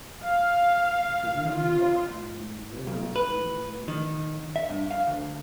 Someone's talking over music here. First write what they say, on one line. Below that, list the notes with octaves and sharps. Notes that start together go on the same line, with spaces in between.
A Brazilian rock band named "Virna Lisi" is named after her.
F5
F4
B1
B4
D#3
E5
G2
F5
D2